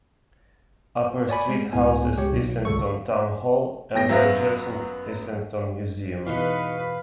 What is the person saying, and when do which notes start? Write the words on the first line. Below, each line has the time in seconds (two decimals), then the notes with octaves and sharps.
Upper Street houses Islington Town Hall, and the adjacent Islington Museum.
1.29 C#5 D5 G#5 B5
1.49 G#3
1.73 C#2 A2 B3 G#5
2.17 C#2 G4 C#5
2.32 B1
2.65 G#1 C#2 A4 C#6
3.94 E2 G5 A#6
4.09 F#2 F#3 B3 E5 F5 A#6
6.27 E2 B2 E3 D#4 F#4 B4 C#5 F5